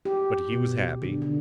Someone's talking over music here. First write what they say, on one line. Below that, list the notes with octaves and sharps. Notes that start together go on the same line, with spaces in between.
But he was happy.
G4
B2
D3
D3